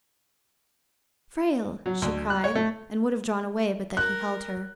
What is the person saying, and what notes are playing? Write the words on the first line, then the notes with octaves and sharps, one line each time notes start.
"Frale!" she cried, and would have drawn away but that he held her.
F#3
D2
F#6
C#5
A3
A#4 F#6